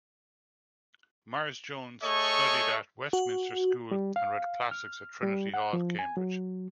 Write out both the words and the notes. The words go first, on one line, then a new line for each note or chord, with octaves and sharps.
Mars-Jones studied at Westminster School, and read Classics at Trinity Hall, Cambridge.
A3 G#4 A4 C#5 D#5 C#6
F#4
G3
F5
F6
G3
F#5
F3
G#5
F#3